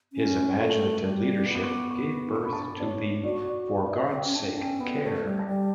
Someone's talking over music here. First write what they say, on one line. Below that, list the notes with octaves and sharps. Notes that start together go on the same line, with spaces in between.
His imaginative leadership gave birth to the 'For God's Sake Care!
C#4
A3
G3
B3
D6
C#6
D6
C#6
D4 C#6
B5
A5
B5
C#5
F#4 D5
D5
D5
D5
E5
G5
C#4
D4 A5
C#4 G5
B3 B5
A3
G3
A5
G3 G5